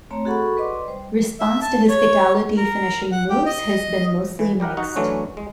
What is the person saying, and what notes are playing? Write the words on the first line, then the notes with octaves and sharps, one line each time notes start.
Response to his Fatality finishing moves has been mostly mixed.
A3 C4 C#5 A#5
F#4 G#4 A4 F#5 B5 C#6
B4 D5 D#5 C6 D6
G3 C5
E5
A5
C#5
A#4
F#5
G4
D#5
E3
G3 G4 A#4 F#5
D#4 F#4 F#5
E3 F#3 A3 C#4 D4
G#3